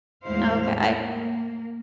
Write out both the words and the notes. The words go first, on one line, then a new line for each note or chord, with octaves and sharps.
Okay. I
E2 A2 G#3 E4 C5 F5
A#3